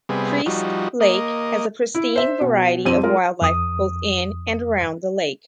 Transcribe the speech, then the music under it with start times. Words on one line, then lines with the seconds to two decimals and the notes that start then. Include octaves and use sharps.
Priest Lake has a pristine variety of wildlife both in and around the lake.
0.09 C3 G3 B3 G#4
0.46 F3 G3 D#4 F#4
1.00 A#3 D#5
1.95 E4
2.16 C5 E5
2.41 B2
2.86 F2 C4 D#7
3.03 G#3 F4 A#4
3.42 F2 D#6